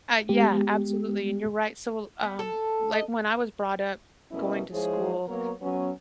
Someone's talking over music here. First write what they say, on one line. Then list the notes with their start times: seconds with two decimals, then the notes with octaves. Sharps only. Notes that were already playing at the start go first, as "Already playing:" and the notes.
Ah, yeah, absolutely, and you're right, so, l um, like, when I was brought up going to school,
0.29 G#3 B3 G4
2.23 B3
2.39 A4
2.92 D#5
4.32 B2 A3 C#4 E4 A#4 D#5
4.72 F3 G#3 E4 G#4 C5 C#5
5.28 F#3 A#3 B3 A#4 C#5
5.61 F#3 B3 C#4